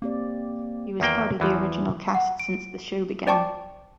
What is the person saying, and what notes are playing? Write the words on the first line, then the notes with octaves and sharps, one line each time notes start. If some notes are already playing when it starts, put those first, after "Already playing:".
He was part of the original cast since the show began.
A#3 C4 G4 D5
E2 D#3 A#3 G5
E2 E3 F3
F#5
D7
C5 D5 G5 A5 C#6 D6